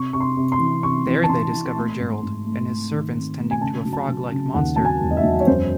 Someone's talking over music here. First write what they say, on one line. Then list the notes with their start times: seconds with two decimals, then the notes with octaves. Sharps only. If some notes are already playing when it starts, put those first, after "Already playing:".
There they discover Gerald and his servants tending to a frog-like monster.
Already playing: C3 C#6
0.13 C3 C#6
0.20 C6
0.37 C3
0.52 C6
0.59 E3
0.83 C3 C#6
1.07 E3
1.23 A5
1.29 E3 C6
1.53 E3
1.76 A3
1.99 G#2
2.23 G#2
2.46 A3
2.69 A3
2.92 D#3
3.15 C4
3.38 A3
3.51 G#5
3.61 C#3 A5
3.85 F#3
3.93 A5
4.08 F#3
4.31 C#3
4.54 D#2 F#5
4.76 F#3 A5
4.85 G#5
5.01 E1
5.11 D#5
5.17 E5
5.24 F#3
5.40 C#5
5.47 F#2 C5